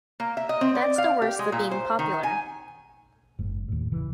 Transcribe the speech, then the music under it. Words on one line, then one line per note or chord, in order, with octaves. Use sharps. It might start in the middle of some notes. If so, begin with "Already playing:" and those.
That's the worst of being popular.
A#3
E5
D#5
C4
D5
F5
G4
G#3
A#2
C5
D#3
G#5
F#1 G#2
D#2 A2
F1 C#3 E3